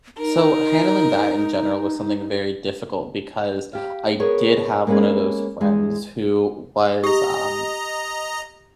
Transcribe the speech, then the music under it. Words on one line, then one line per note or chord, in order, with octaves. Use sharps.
So, handling that in general was something very difficult, because I did have one of those friends who was, um
D#4 A#4
G4 F5
B3 G#4 A#4 C#5
G#3 A#3 B3 C#4 G#4
E2 G#3 G#5
G4 D#5 A#5